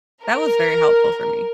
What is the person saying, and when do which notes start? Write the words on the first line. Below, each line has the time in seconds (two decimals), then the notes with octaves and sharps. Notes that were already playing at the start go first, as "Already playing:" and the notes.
That was very helpful for me.
0.24 A#4